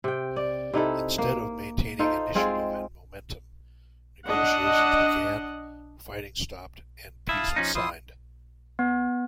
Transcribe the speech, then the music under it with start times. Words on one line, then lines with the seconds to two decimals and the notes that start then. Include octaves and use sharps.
Instead of maintaining initiative and momentum, negotiations began, fighting stopped and peace was signed.
0.04 C3 G5
0.36 D5
0.73 C3 D#4 E4 A4
1.18 A#3
1.99 D#4 F4 A4 C5
2.35 G#3 C4 F4 G#4
4.26 D4 D#5 F#5
7.29 E4 F5 A5 D#6
7.56 F3 C#4 D#4
7.75 F3 E4 C6 D#6
8.79 B3